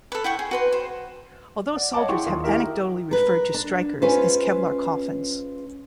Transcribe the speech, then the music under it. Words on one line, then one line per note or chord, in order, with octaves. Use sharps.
Although soldiers have anecdotally referred to Strykers as Kevlar Coffins.
A4 B4
E4 F#5 G5 C#6
G#4
F#4 B4 C6
C5
D5 F#5
C#5 D#5 F5 F#5 A5 D6
E4 G#4 F#5 G5 C6 C#6
D#2 F4 C6 D#6
D#4 E4 F#4 G4 A#4 E5
A#4 B4
D4
G#3 C#4 F4 B4 C5